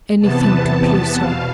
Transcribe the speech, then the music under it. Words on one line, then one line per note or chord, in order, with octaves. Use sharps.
Anything to please her!
E2 C3 E3 B3 A5
E2 B2 F5